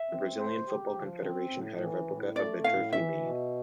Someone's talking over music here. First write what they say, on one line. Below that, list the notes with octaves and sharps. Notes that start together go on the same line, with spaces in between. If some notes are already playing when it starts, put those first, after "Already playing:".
The Brazilian Football Confederation had a replica of the trophy made.
Already playing: E5
C4
C5
G4
F3
C4
A2
E3
A2
A3 D5
A2 F5
E3 E5
B2